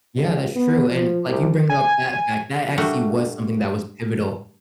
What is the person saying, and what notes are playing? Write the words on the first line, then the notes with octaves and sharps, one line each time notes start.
Yeah, that's true. And like you bring up that fact, that actually was something that was pivotal.
C#2
B3
F3
C2
G#5
G3 A3 D4 F#4 A#4